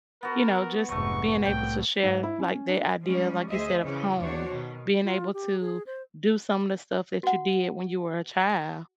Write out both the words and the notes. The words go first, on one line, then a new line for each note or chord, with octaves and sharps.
you know, just being able to share, like, the idea like you said of home, being able to do some of the stuff that you did when you were a child.
B3 F#4 A#4
F1 G#2 F#3 A3 C#6
C2 A2 G5
G#2
E4
C#4
D4
F3 G3 G#3 C#4
D2 G#4 C5 D#5 E5
C#3 E3 C#4
D#2 D4 F#4 C5 C#5
B2 D#3
F4
G4
G#4
C5
F#4 F#5